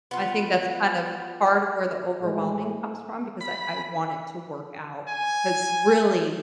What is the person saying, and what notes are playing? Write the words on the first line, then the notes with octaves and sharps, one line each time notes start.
I think that's kind of part of where the overwhelming comes from because I I want it to work out. 'Cause really,
B3 F4
A2 G#3
B5
G#5